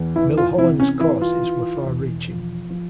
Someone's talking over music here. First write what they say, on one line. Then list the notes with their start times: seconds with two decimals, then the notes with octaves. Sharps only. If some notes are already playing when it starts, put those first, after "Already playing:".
Milholland's causes were far reaching.
Already playing: E2
0.16 E3 E4
0.37 F4
0.58 C3 E4
0.80 C#4
1.00 E3 E4
1.22 F4
1.43 E3
1.86 E1
2.28 F3
2.70 F3